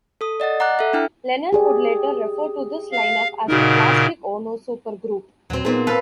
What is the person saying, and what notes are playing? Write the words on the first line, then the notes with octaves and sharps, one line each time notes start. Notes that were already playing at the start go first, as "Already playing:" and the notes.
Lennon would later refer to this lineup as "the Plastic Ono Supergroup".
A4 D#6
D5 D#5 F#5 A6
F#5 A#5 D6 F#6
A4 E5
D4 E4 G5 F6
G4 G#4 D5
F5
A#2 C#3 D#4 F#4 A#4
D#2 A#2 F#3 C4 F#4
A#2 B3 C4 D#4 G#4
A4 B4 F5